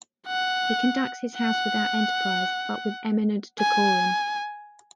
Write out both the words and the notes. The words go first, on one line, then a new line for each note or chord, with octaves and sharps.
He conducts his house without enterprise, but with eminent decorum.
F#5
F#5
G#5